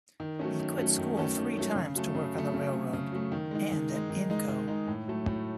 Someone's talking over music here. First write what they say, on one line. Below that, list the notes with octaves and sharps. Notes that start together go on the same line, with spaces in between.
He quit school three times to work on the railroad, and at Inco.
D#3
F#3 A3 C#4
D#3
F#3 A3 C#4
D#3
F#3 A3 C#4
D#3
F#3 A3 C#4
C#3
F#3 A3
C#3
F#3 A3
C#3
F#3 A3
C#3
F#3 A3
D#3
G#3 D#4
D#3
G#3 D#4
D#3
G#3 D#4
D#3
G#3 D#4
A2
F#3 A3
A2